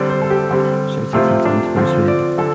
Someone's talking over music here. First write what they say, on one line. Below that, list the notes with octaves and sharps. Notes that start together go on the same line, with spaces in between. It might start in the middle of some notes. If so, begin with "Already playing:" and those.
She would take some time to persuade.
Already playing: D3 G3 C4 D5
C5
A4
G4
D3 G3 C4
C3 F3 A3 C4 F4
D4
D3 F3 C4 F4
D5
D3 A4